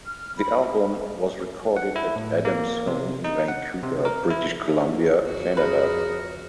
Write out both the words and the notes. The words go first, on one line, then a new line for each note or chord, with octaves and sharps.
The album was recorded at Adams' home in Vancouver, British Columbia, Canada.
F6
B5
G#4
F#5
E4
A2
A#3
C3
D#4
F#5
C3
A#4
E4
F2 F#4
G#4 A#4 B4